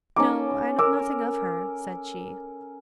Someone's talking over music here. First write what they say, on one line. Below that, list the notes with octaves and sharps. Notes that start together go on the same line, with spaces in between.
'No, I know nothing of her,' said she.
C#4 D#4 A4 A#5 D6
A#4 D6 E6